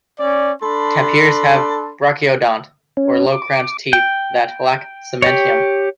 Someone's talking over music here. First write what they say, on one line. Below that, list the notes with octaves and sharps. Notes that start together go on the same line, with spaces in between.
Tapirs have brachyodont, or low-crowned teeth, that lack cementum.
C#4 D5
D4 A4 B5 C6
C#4
D6
G5
G4 C#5